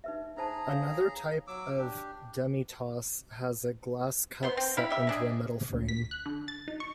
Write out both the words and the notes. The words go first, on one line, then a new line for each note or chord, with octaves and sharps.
Another type of demitasse has a glass cup set into a metal frame.
D#4 B4 E5
D#4 G#4 C5 A5 A#5
C#5 F5
F#3 D6 E6
D4 G4
B3 C5 C6
C4
E4 F5 B5
G4 E5
G#3 D4 G#4
D2
B6
F#6
D3
A6
D#4
C#6